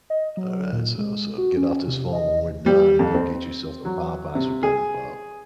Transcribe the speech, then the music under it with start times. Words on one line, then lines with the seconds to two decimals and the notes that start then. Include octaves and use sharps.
Alright, so so, get off this phone when we're done and go get yourself some Popeyes for dinner, Bo.
0.10 D#5
0.37 F#3
0.72 A#2
0.98 G#3
1.38 F#4
1.57 C#4
1.87 C3
2.13 D#5
2.66 G3
2.99 F2
3.14 C4
3.85 F#3
4.35 C3
4.63 G#4